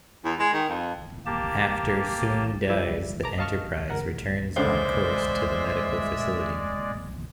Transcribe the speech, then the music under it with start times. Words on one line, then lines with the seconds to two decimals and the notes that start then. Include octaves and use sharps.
After Soong dies, the "Enterprise" returns on course to the medical facility.
0.25 E2
0.39 G#3
0.53 D#3
0.69 F2
1.26 A#3 G4 A5
2.70 F3 G3 E4 D5 E5
3.24 A5 A#5 D6
3.38 D#5 F5 A5 C#6 F6
3.90 C#2 A#4 F#5
4.56 C#2 D3 G#3 C5 D5 E5